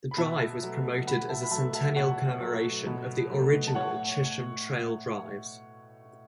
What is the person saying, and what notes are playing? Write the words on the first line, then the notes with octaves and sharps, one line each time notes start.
The drive was promoted as a centennial commemoration of the original Chisholm Trail drives.
B5
B2 E5 A5
F#3 A3
B2 F#5 B5
E5 A5
B5
F#3 A3 E5 A5
E5 A5
B2 C#5 F#5
F#3 A3
B2
F#3 A3
A5
A2 C#5 F#5